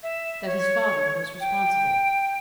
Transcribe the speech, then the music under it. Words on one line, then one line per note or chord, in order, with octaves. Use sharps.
That his father was responsible.
E5
C#5
G5